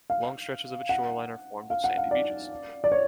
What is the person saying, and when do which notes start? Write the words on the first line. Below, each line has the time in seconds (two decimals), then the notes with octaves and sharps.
Long stretches of its shoreline are formed of sandy beaches.
0.10 F5
0.89 F#5
1.70 F5
1.84 F#5
1.97 F5
2.11 D5
2.84 D5
2.92 C#5